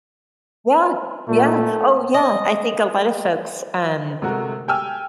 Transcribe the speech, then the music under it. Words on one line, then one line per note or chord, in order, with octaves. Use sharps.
Yeah. Yeah. Oh, yeah, I think a lot of folks, um,
A#2 A3
D#5
C3 G#3 A3 F#4 A#4
G4 G5 G#5 E6 F6